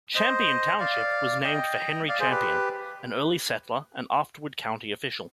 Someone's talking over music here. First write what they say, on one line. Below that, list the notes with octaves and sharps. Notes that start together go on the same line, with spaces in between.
Champion Township was named for Henry Champion, an early settler and afterward county official.
C5 D#5
D5 F5
D#5 G5
D5 F5
G#4 C5
G4 B4